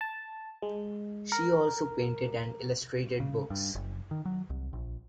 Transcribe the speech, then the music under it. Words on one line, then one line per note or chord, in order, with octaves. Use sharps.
She also painted and illustrated books.
A5
G#3
A#4
C#3
G2
F#1
D#3
F#3
C2
A#1